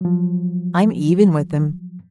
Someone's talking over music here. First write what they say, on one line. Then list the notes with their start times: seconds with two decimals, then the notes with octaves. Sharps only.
I'm even with him.'
0.01 F3 F#3